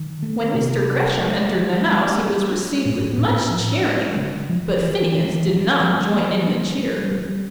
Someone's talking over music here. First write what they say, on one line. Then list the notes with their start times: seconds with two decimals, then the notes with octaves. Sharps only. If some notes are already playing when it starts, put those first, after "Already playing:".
When Mr. Gresham entered the House he was received with much cheering; but Phineas did not join in the cheer.
Already playing: D#3
0.22 A3
0.54 C3
0.88 D4
1.21 G#3
1.54 F3
1.86 G#3
2.19 G3
2.52 D4
2.85 A2
3.18 A2
3.50 F3
3.83 D4
4.16 C#3
4.49 F3
4.81 E3
5.14 E3
5.47 F3
5.81 F3
6.13 A#3
6.46 D4
6.78 G3
7.11 G3